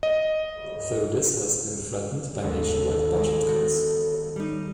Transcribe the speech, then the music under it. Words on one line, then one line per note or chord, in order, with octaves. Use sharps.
Though this has been threatened by nationwide budget cuts.
D#5
G#1 D#2 G#3 B3 A4
E3 G#3 D#6 G#6 D7
D#3 B3 F#4 G6
G3 D#4